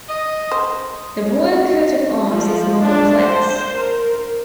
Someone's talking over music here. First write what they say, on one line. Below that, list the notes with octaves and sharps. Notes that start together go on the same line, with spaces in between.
The Royal Coat of Arms is more complex.
D#5
C5
F3
D4
C5
A#4